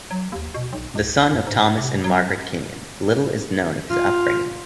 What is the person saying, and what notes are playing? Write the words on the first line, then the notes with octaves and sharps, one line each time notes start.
The son of Thomas and Margaret Kenyon, little is known of his upbringing.
F#3
D#2
B2
B1
C#2
F#2
G#2
C3
F#3
F4